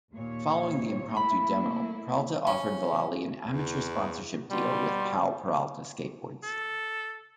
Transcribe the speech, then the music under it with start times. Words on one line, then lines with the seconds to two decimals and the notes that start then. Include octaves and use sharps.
Following the impromptu demo, Peralta offered Vallely an amateur sponsorship deal with Powell-Peralta Skateboards.
0.12 D#2 A#2 C#5
1.17 A3 A#3 E4 B5
2.47 C#4
3.48 E2
4.51 B2 G3 F#4 F#5 C6
6.43 A4